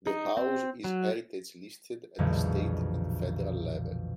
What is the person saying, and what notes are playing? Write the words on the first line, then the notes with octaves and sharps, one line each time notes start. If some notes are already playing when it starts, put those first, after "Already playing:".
The house is heritage-listed at the state and federal level.
D#4
C4
F#3
B1 F2 A#2 D3 E3 G#3